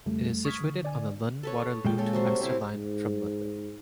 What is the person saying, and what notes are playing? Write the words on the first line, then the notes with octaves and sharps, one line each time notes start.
It is situated on the London Waterloo to Exeter line, from London.
F2 C#3 G3 A3
C#6 D#6 F6 G#6 B6
D3
D3 D5 G#5
A4 B4 C#5
A#2 G#3 G5
C#3 A4
C3 F#3 C5
C3 E4 F5
G#2